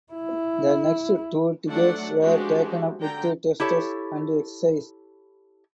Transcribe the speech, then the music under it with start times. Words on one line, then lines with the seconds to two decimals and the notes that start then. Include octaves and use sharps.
The next two decades were taken up with tests and exercises.
0.13 E4
1.68 F#3 A3 D4 D5 F#5
2.20 F3 G#3 D4 F#4 G4
3.00 D3 G5 A#5
3.60 E4 G4 A4 C#5